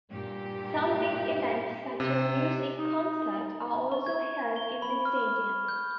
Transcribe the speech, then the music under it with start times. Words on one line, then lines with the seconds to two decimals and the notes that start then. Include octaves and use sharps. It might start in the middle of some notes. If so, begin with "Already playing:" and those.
Some big event such as music concert are also held in this stadium.
0.11 G2 A#2 G4
2.00 C3
2.77 D#4
3.92 C#6
4.06 G#6
4.56 G7
4.82 B5
5.05 F6
5.68 G6